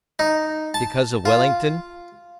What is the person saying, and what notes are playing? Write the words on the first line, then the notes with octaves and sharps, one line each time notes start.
Because of Wellington?
D#4
A5
F4